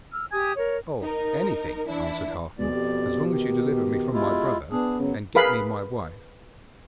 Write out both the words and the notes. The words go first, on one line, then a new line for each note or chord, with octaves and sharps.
'Oh, anything,' answered Halfman, 'as long as you deliver me from my brother, and get me my wife.'
E6 F6
G4 G#5 D#6 G#6
A#4 C#5
D#4 A#4
E3 D4 E4
F2 B2 G#3 D5
G4
D#3
G#3 E4 F4
B3 D4 G#4
F#2 C#3 F#3
G#4 A#4 B4 F5 B5